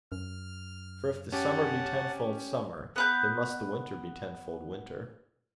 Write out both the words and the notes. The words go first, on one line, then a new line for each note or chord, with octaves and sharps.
For if the summer be tenfold summer, then must the winter be tenfold winter.
F#2 F6
C#4 G4 F#5 A5
B3 B4 G6